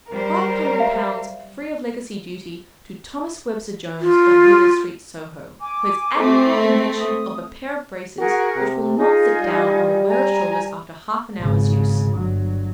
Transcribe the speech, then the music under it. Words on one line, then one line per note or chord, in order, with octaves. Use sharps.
Five Hundred Pounds, free of legacy duty, to Thomas Webster Jones, of Wheeler Street, Soho, for his admirable invention of a pair of braces which will not slip down on the wearer's shoulders after half an hour's use.
F#3 G3 A#4 C5
E5 F5
F4
G#5 D6
A3 C4
D#6
F#4 G#4 A#4 F#5
C3
D#4 F4 G#4 G#5
G3
G#5 A#5
G#1 C#3
G1 F#3